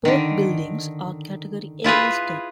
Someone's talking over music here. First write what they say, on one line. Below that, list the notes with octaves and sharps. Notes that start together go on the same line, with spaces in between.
Both buildings are Category A listed.
D3 D#3
E4 F4 G#4 B4